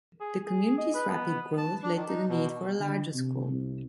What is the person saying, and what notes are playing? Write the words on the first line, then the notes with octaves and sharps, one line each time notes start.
The community's rapid growth led to the need for a larger school.
G#4
G#4
D#5
B4
B3
A5
D4
D#3
D#4
B2
D3
C3
C2